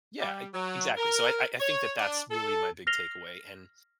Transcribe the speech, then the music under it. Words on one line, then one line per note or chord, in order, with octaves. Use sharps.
Yeah, e exactly. So I I I think that that's really my big takeaway and
G3
F#3
A#4
C#5
D4
A4
F6 A#6 C7 F7 G7